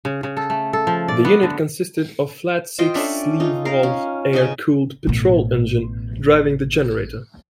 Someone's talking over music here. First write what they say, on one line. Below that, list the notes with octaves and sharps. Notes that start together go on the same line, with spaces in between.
The unit consisted of a flat-six sleeve-valve air-cooled petrol engine driving the generator.
C#3
C#3
A4
A3
A4
F3
D5
B3
D3
F4 C5 D#5 G5
C#4 D4 A4 E5
D#4 F4
A#4 F5
C#4
C#3 D#4 D#5 G#5
A1 B2